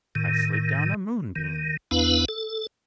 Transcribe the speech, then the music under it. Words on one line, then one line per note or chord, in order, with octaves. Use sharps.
"I slid down a moonbeam."
A2 D#3
D#3
E2 B3 D4 E4 B4 F5
A4